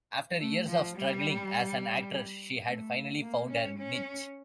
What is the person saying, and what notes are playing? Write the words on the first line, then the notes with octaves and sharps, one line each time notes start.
After years of struggling as an actress, she had finally found her niche.
A3
F3
G3
A3
A#3
C#4
C#4